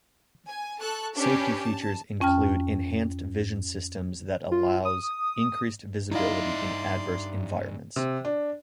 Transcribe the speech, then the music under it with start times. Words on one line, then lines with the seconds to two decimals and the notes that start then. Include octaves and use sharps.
Safety features include Enhanced Vision Systems that allows increased visibility in adverse environments.
0.47 G#5
0.79 A4 A5 C#6 F#6
1.16 C#4 D4 G4 B4
1.60 A5
2.20 F2 C#4 G5 A5 F6
4.52 F4
4.85 D#6
6.11 G2 D#4 E4 D5 D#5 F5 C6
7.96 C3
8.25 D4